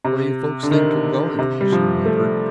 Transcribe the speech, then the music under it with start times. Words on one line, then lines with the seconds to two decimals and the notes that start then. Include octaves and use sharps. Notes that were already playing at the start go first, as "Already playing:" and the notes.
"Where you folks think you're going?" she whimpered.
0.05 C3
0.63 D3
0.71 D#3
1.39 C3
1.61 G3
1.72 F3
2.06 A3